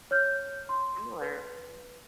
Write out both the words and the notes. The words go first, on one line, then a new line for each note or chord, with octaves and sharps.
similar. Mhm.
C#5 F6 G6
C6
B4